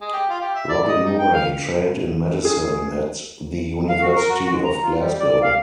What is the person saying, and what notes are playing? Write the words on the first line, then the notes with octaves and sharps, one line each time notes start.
Robin Murray trained in medicine at the University of Glasgow.
G#3
G4
F4
G4
E5
D5
D#5
D#4
G5
F5
G#4
F5
F#4
A#4
F#4
G#3
A#5
F4
G3
D5
F5